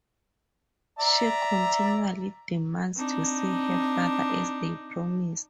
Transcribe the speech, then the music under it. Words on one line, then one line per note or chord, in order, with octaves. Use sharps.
She continually demands to see her father as they promised.
D5 E5 A#5
C4 D4 D#4